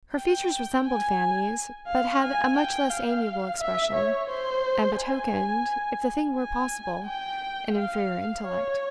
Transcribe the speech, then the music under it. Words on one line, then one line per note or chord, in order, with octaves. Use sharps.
Her features resembled Fanny's, but had a much less amiable expression, and betokened, if the thing were possible, an inferior intellect.
G5
G#5
F5
G#5
G5
F5
E5
C#5
C5
G#5
G#5
G5
F5
C#5